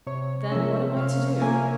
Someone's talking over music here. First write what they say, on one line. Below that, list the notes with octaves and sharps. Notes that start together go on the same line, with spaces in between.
"Then what am I to do?"
C3 C#5
F3 A#3 C#4 E5
C3 F5
F3 A#3 C#4 G#5